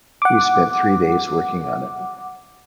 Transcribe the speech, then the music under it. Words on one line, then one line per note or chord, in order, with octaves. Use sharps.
We spent three days working on it.
F#5 D6